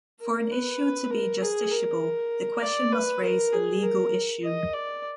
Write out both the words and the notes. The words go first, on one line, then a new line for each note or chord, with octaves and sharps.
For an issue to be justiciable the question must raise a legal issue.
A#4
B4
A#4
G#4
A#4
D5
B4
A#4
G#4
A#4
D#5
D5